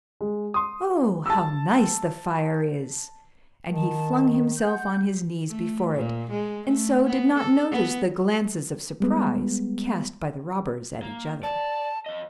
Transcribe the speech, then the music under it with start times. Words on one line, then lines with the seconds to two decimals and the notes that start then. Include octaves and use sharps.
Oh, how nice the fire is!' And he flung himself on his knees before it, and so did not notice the glances of surprise cast by the robbers at each other.
0.21 G#3
0.54 C6 D#6
1.26 A5 E6
3.70 D#3 A5
4.58 F#5 G6
5.49 A3
5.95 A#2
6.31 G#3
6.67 A3
7.07 B3
7.38 A4
7.71 B3
9.00 G3 G#3 B3
11.02 A#3
11.43 D5 A5
12.06 F2 D#5